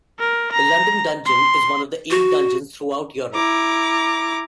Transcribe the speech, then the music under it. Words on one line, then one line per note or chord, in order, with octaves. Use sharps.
The London Dungeon is one of eight Dungeons throughout Europe.
A#4
A#5
C6
F#4
E4 A#5 D6